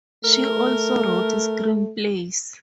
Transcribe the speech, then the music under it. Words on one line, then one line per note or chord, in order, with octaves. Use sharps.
She also wrote screenplays.
A3 A#4